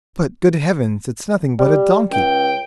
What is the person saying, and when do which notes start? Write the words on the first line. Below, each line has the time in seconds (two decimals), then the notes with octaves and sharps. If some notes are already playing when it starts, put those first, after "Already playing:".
'But, good heavens, it's nothing but a donkey!'
1.59 G3
2.10 C#2 G5